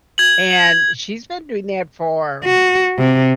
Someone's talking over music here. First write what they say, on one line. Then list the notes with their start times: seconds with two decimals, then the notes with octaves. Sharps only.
And she's been doing that for
0.18 G#6 F#7
2.45 F#4
2.98 C3